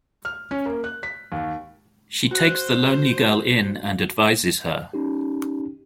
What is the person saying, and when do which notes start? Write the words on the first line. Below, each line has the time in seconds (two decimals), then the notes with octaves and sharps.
She takes the lonely girl in and advises her.
0.25 F6
0.51 C#4
0.66 A#3
0.84 F#6
1.03 B6
1.32 D#2
2.31 F#4 C5 F#6
4.94 C#4 D#4 G4